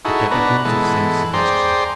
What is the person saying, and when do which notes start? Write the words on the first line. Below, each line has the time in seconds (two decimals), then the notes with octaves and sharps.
The Catacombs of Saint Sebastian.
0.05 D#4 E4 F#4 G#4 A4
0.31 B3 D4 B4 A#5
0.65 E3 G#3 B3 A4
1.34 G#4 C5 D5 G5 A#5 C6